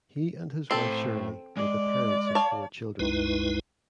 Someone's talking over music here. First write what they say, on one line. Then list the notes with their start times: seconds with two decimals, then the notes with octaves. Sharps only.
He and his wife Shirley were the parents of four children.
0.71 A2 C4 A4 C6
1.57 G#3 D5
2.35 C#5 F5 A5
2.99 C2 F#2 G#3 D#4 E4 B4